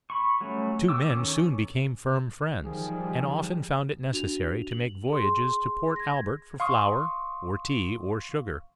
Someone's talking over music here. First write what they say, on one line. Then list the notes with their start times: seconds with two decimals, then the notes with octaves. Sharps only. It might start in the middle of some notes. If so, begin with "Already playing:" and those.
The two men soon became firm friends, and often found it necessary to make voyages to Port Albert for flour, or tea, or sugar.
0.10 B5 C#6
0.41 F#3 G3 A3 C#4
0.88 G5 D6 E6
1.10 D#3 C#4 A4
2.64 D#3 F3 G3 G#4
4.12 D4 F#4 F7
4.71 F#7
5.09 G#4 C6
5.96 G#6 A#6
6.60 F5 C6 C#6 D#6